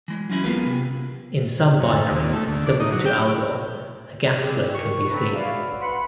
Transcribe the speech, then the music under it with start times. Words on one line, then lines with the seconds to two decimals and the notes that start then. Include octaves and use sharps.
In some binaries similar to Algol, a gas flow can be seen.
0.08 E3 G#3
0.29 F#3 C4 C#4 E4
0.44 A#3 B3 F4 G#4 B4
0.66 C3
1.80 F#2
1.92 A4
2.09 D#2
2.33 A3
2.47 D2
2.67 D4
2.80 D#4
2.92 F#3
3.06 G5
4.35 G#3 C4 G4
4.75 D#2 B2 C#6
5.10 D2 D3 C4 D4 D#4 B4
5.35 F#4 B4 C#5 D5 E5 F5
5.81 B4 F#5 B5 C6